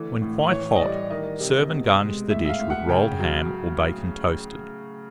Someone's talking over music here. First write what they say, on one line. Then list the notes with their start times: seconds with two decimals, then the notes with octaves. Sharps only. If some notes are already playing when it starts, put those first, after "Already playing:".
When quite hot, serve, and garnish the dish with rolled ham or bacon toasted.
Already playing: D3 E3 A3
0.22 A2
0.51 E3 C#5
0.76 D#5
0.81 G3 D5
1.11 D#3 D#5
1.40 C3
1.70 B2
2.00 G#3
2.30 A2 E5
2.45 E5
2.49 F5
2.59 A2
2.70 F#5
2.89 C#3 G5
3.19 F#3